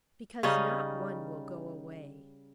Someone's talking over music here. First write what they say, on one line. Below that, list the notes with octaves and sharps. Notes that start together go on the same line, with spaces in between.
"Because not one will go away."
C#3 G3 C#4 D#4